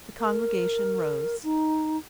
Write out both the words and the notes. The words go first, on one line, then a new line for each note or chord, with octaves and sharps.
The congregation rose.
A#4
D#4